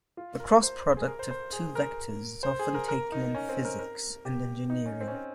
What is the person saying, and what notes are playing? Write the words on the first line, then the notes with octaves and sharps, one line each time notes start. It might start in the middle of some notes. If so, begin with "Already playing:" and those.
The cross product of two vectors is often taken in physics and engineering.
F4
A#4
C5
G#4
A#4
C5
C5
G#4
A#4
C5
G#4
A#4
A#4
D#4
C#4
C4
A#4
A#4
G4
D#4
C#4
C4
C#4
C4